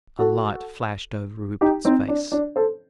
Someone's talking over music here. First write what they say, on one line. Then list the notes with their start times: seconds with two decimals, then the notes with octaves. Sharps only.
A light flashed over Rupert's face.
0.19 F#4 A4
1.61 D#4 G4
1.85 C4 D#4
2.08 D4
2.32 D4
2.56 A4 C5